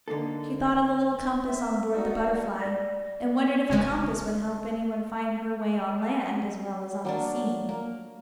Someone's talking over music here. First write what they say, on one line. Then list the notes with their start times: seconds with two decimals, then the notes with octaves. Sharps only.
She thought of the little compass on board the Butterfly, and wondered if a compass would help anyone find her way on land as well as on the sea.
0.08 D3 A#3 D#4 A4
1.47 E5
1.94 D#4 F#4 D5
2.61 D5 A#6
3.70 G#1 C#3 G#3
7.05 F#3 A#3 D4
7.69 A#3